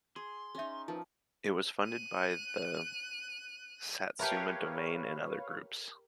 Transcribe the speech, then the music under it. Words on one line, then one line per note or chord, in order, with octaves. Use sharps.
It was funded by the Satsuma Domain and other groups.
G#4 C6
C#4 D#4 G#4 E5
F3 D#4 A#4 B4
F#6 D#7
G4 A#4 B4 C#5 E5 F5 A5